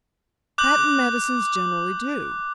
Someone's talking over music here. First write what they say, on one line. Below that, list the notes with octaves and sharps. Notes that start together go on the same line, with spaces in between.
Patent medicines generally do.
D6 F#6 G6 F#7